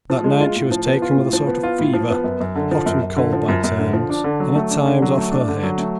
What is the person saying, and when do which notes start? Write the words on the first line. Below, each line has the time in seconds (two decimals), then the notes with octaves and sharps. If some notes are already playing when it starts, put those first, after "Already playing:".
That night she was taken with a sort of fever, hot and cold by turns, and at times off her head.
0.10 F3
0.24 G#3
0.40 F4
0.55 A2
0.71 F3
0.86 B3
1.02 F4
1.16 A2
1.33 F3
1.47 B3
1.63 F4
1.79 A2
1.93 F3
2.10 B3
2.24 F#2
2.40 F#2
2.55 D3
2.71 F3
2.86 F#2
3.02 F#2
3.16 D3
3.33 F3
3.48 F#2
3.64 F#2
3.79 D3
3.93 F3
4.10 D4
4.24 D3
4.40 F#3
4.55 A3
4.70 D4
4.86 D3
5.02 F#3
5.18 A3
5.32 D4
5.48 D3
5.63 F#3
5.78 A3